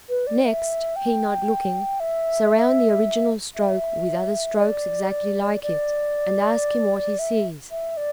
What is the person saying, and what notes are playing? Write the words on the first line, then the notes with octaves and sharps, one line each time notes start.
Next, he not looking, surround the original stroke with other strokes exactly like it, and ask him what he sees.
B4
D5
E5
G5
E5
E5
D5
D5
E5
E5
D5